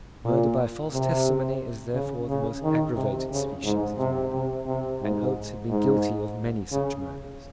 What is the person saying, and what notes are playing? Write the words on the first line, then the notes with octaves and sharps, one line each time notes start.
Murder by false testimony is therefore the most aggravated species of murder; and Oates had been guilty of many such murders.
A#2
C3
C#3
C#3
D#3
C3
C#3
G#2
C3
C3
C3
G#2
G#2
C#3